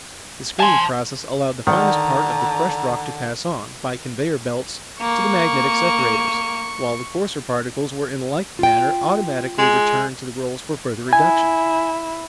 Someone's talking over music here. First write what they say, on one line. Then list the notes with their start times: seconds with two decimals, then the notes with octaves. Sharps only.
The screening process allowed the finest part of the crushed rock to pass on, by conveyor belts, to the magnetic separators, while the coarser particles were in like manner automatically returned to the rolls for further reduction.
0.60 G#5 A5 C6
1.67 D3 D#3 D5 F#5 A#5
5.02 A#3 C#6
8.59 F4 G5
9.59 G#3
11.13 E4 G#5